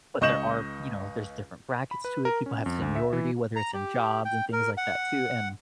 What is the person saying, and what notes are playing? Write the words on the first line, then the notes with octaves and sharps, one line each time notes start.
But there are, you know, there's different brackets to it. People have seniority, whether it's in jobs and things like that too, and,
C#2 D#5 C#6 G6 E7 F#7
B5
B4
A#4
C#4
F2
D2
E5
E3
A#5
G4
G5
A#4
F#5